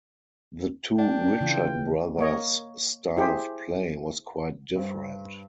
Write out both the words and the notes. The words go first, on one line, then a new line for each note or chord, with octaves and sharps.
The two Richard brothers' style of play was quite different.
D4 G5
C#3 E3 F4
A#3 C#5 D#5
E4 G4 G#4 C5
G2 C5